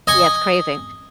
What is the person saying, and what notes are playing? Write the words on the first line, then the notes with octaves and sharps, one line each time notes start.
Yeah, it's crazy.
D#5 G#5 C#6